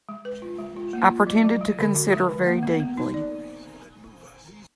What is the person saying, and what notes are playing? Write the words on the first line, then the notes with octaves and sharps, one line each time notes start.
I pretended to consider very deeply.
G#3
B4
F4
G#3
F4
A#3
F4
F#3
F#3
G#3
D3
F#4
G#3
D#3
A#3
B3
B3
D#4
D5